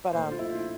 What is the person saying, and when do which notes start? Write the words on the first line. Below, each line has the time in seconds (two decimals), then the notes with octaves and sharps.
But, um,
0.13 A#2 A3 C5
0.31 F4
0.39 E4